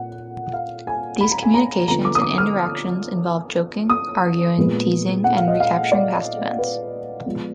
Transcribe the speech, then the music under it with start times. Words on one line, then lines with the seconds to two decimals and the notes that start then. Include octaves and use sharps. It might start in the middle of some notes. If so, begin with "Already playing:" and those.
These communications and interactions involve joking, arguing, teasing and recapturing past events.
Already playing: A#2 F#5
0.54 F5
0.87 G#5
1.21 B5
1.31 A#5
1.43 G#5
1.54 A#5
1.88 D3 F3 B3 A#5
2.05 D6
2.15 D#6
2.22 D6
2.38 F6
3.90 D#6
4.58 A#2 G#3 B3
5.24 F#5
5.37 F5
5.48 D#5
5.60 F5
5.92 D5
6.59 B4
7.26 F3 G#3 B3